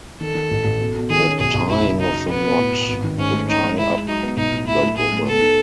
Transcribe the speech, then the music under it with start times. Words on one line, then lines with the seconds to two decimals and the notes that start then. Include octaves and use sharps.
The tying of the knot would tie up the woman.
0.20 D#3 A4
0.35 D#3
0.51 A1
0.65 A1
0.80 B2
0.95 B2
1.10 D#3 G#4
1.25 C#4
1.39 B1 G#4
1.54 B1
1.69 F#2 E4
1.84 C#3
2.00 F#3 D#4
2.13 C#3
2.28 B2 B3
2.44 B2
2.59 A2
2.74 A2
2.88 G#1
3.04 D#3
3.18 G#2 C#4
3.33 A3
3.48 C#4 D#4
3.63 G#3
3.78 G#3 E4
3.93 G#3
4.07 F#3 D#4
4.23 B3
4.37 B1 D#4
4.52 A2
4.67 A3 E4
4.83 A3
4.97 A2 G#4
5.11 A3
5.26 B3 A4
5.41 D#4